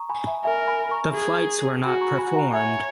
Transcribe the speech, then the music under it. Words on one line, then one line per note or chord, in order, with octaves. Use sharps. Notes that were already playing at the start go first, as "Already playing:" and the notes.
The flights were not performed.
Already playing: A#5 C#6 D#6
G#5 B5
E5 G#5
A#4 E5 G#5
G#5 B5
A#5 C#6
G#4
F#4 G#5 B5
A#5 C#6
G#5 B5
F#5 A#5
C#5 E5 G#5